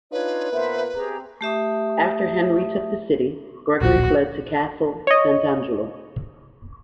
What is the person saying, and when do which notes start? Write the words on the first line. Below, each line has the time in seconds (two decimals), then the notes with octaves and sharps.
After Henry took the city, Gregory fled to Castel Sant'Angelo.
0.12 D4 D#4 F4 B4 C#5
0.52 A#2 B3 A#4 C5 E5 B5
0.96 C4 G4 G#4 A#5
1.41 A3 G4 E5 D#6
3.81 D1 A#1 F#4
5.07 C#5 D#5